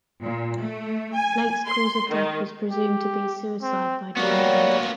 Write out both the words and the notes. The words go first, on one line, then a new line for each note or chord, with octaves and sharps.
Blake's cause of death was presumed to be suicide by drowning.
A#2
A3
G#5
C6
D#3
G4
C4
F#3 G3 A#3 B3 F#4